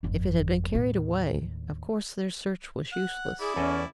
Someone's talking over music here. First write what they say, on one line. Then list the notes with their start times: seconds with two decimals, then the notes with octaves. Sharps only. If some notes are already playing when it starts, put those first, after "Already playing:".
If it had been carried away, of course their search was useless.
0.03 G1 F2
0.74 D#2 A2
2.92 F#5
3.40 E4 G#4 D5
3.56 E2 C#4 A4 D#5